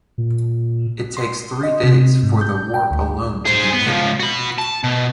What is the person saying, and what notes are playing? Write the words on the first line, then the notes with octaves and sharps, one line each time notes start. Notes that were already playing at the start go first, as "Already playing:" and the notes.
It takes three days for the warp alone to be made.
A#2
C6
D#5
C3
G#2
G6
G5
D2
G#4 C5
B3
C#2 F3
F#4 B5
A5
B2